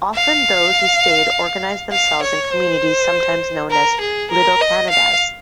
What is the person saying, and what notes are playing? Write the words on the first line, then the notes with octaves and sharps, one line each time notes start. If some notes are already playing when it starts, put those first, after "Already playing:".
Often those who stayed organized themselves in communities sometimes known as Little Canadas.
F5
F5
C#5
C5
A#4
G#4
A#4
D#5
F5